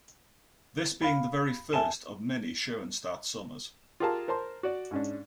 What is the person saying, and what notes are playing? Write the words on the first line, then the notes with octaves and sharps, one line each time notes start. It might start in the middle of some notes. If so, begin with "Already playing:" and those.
This being the first of many Schoenstatt Summers.
F5 B5
E5 G#5 A5 E7
F4 G4 G#4 A#4 F5 A5
A#4 C5 A5 C6
F#4 D5
G#2 C#4 D4